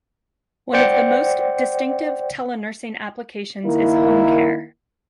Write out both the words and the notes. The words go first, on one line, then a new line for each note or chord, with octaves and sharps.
One of the most distinctive telenursing applications is home care.
C5 D5 F#5 G5 C#7
D#3 A#3 E4